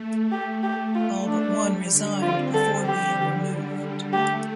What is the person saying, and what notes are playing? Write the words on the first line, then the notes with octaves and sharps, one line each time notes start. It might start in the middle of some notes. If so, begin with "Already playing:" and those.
All but one resigned before being removed.
Already playing: A3
G4
G4
F4
D4
G3
D3
C4 F4
A4
G3 G4
D3
A3 G4